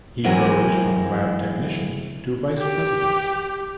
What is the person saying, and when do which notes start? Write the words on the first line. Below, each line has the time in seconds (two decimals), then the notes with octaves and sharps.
He rose from lab technician to Vice President.
0.24 E3 F#3 G#3 C4 A#4 G#5
2.58 G4